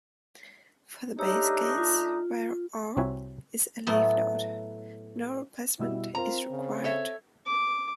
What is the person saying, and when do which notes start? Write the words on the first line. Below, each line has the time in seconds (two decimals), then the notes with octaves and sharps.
For the base case where R is a leaf node, no replacement is required.
1.19 A3 D4 D#4 G4 C#5 E6
1.78 F4
2.97 C2 C4 F#4 C#5 E5 G#5
3.87 A2 F#3 A3 B3
5.79 B2 G3 E4 E6
6.15 C4 F4 A#4 C5 A#5
6.51 C#3
6.84 A4 C#5 E5
7.46 D6